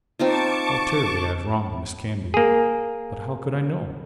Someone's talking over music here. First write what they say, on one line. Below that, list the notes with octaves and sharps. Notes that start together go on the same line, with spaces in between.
How terribly I have wronged Miss Canby, but how could I know?
C4 D#4 F4 A5 C#6 D6
A#3 G#4